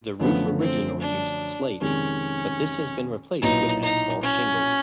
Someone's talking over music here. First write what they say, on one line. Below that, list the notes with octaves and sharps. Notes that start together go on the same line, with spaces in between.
The roof original used slate, but this has been replaced with asphalt shingles.
F#2 D3 F3 A3 B3
C4
D4
F2 C3 D#3 G#3 C#4
B1 A#2 F#3 B3 D#4 E4
D#4
C#4